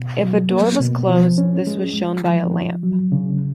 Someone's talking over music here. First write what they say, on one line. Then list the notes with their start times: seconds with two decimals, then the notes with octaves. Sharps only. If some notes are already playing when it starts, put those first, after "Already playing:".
If a door was closed, this was shown by a lamp.
Already playing: B2
0.22 F#3
0.52 A#3
0.80 B2
1.10 F3
1.38 C#4
1.67 G#3
1.96 G#3
2.25 F3
2.54 F3
2.83 F#3
3.12 C#3